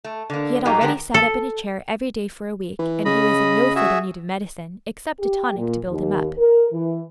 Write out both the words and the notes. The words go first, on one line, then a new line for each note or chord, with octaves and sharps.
He had already sat up in a chair every day for a week--and he was in no further need of medicine, except a tonic to build him up.
A3
D3 A#3
A#2 F#3 A#3 D#4 G4
D3 G#3 B3 G4 A#4
A4
E3
C#3 D#5 B5
F#4 G#4 E5
G4
A#2
D#2
A#4
E3